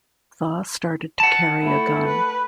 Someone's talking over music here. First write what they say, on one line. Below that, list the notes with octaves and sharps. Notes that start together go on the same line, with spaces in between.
Thaw started to carry a gun.
F#5 A5
A3 E4
B4